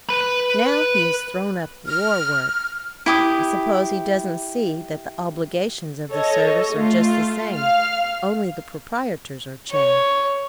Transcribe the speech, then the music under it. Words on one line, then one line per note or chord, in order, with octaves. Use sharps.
'Now he has thrown up war work, I suppose he doesn't see that the obligations of the service are just the same, only the proprietors are changed.'
B4 B5
F6
E4 G4 D#6
A4 C#5 D#5
A3 F4
F5 F6
C#5